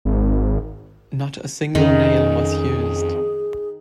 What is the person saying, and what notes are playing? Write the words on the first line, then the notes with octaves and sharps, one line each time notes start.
Not a single nail was used.
G#1
F2 D#3 C#4 G#4